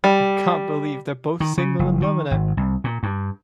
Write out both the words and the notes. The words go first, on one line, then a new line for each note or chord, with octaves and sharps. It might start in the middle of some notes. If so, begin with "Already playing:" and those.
I can't believe they're both single and loving it.
G3
D#3
C#3
F#1
D#3
G#1
C2
A#2
G2